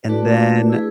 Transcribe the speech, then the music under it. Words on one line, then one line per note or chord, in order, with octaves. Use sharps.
And then,
A3 D4 F#4 B4 D5
E4 G#4 B4